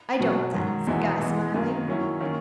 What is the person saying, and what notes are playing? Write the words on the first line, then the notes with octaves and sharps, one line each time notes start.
'I don't, then,' said Guy, smiling.
B2 F#3 C#4
G#2 D#3 F#3
E2 B2 G#3 B3 E4
E3 G#3 B3
F#2 D#3 A#3
D#3 F#3 C#4 E4
D#3 A#3 C#4